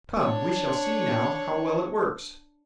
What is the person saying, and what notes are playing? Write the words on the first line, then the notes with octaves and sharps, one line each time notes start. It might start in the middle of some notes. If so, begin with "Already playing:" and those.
"Come, we shall see now how well it works."
D4 C#5